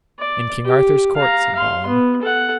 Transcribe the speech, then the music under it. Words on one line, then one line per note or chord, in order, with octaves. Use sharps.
In King Arthur's court, said Balin.
D5
G4
F5 A#5
F5 C6
B3
A4 F#5